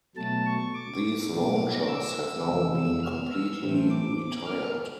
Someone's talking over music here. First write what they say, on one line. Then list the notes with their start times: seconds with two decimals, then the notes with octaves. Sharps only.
These launchers have now been completely retired.
0.17 B2 F#3 A3 A5
0.46 C#6
0.74 D6
1.32 B2 F#3 A#3
1.89 E6
2.46 F2 C3 E3 G#3
3.03 F6
3.31 E6
3.61 A2 E3 A3 C4
3.90 D6
4.18 D6
4.46 F6